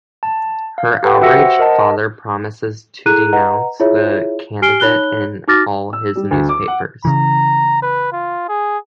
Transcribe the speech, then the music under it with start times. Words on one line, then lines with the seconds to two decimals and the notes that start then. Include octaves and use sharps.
Her outraged father promises to denounce the candidate in all his newspapers.
0.23 A5
0.78 F5
1.03 G4 A4 B4 F#5 G5
1.22 F#4 E5 F#5 E6 A#6 C#7
1.39 C5 F#5
1.59 A#4 D#5 A5
3.06 E4 G#4 A4 A#5 F#6 D#7
3.33 B4 D#5 F#5 A#5
3.80 E4 F4 G#4 C#5 E5
4.62 G4 G#5 F6 C7 D7 G7
4.80 D#4 C#5 B5 F#6 G7
5.48 D#4 F#4 D6 F6 A6 A#6
5.93 E6
6.16 G3
6.31 D2
6.49 D6
6.68 F#5
7.05 C#3 E3 A#5
7.82 B4
8.12 F4
8.49 G#4